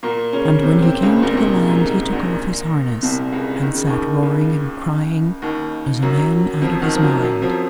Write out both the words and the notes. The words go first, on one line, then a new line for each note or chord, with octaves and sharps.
AND when he came to the land he took off his harness, and sat roaring and crying as a man out of his mind.
A#2 A#3
C#3 C#4
C3 C4
C3 C4
C#2 C#3
A#1 A#2
C3
A#1 A#2
G#2
F#2
G#2
A#1 A#2
C2 C3
C#2 C#3
D#3
C#3
D#2 D#3
C#2 C#3
D#2 D#3
F#2 F#3
F2 F3
D#2 D#3
F3
F#2 F#3
F#2 F#3
F2 F3